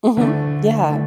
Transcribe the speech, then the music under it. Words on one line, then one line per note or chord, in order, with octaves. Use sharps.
Mhm. Yeah.
D2 D3 A3
D3 A3